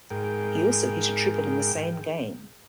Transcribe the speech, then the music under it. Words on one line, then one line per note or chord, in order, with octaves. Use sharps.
He also hit a triple in the same game.
G#2 G#4 A#4 G5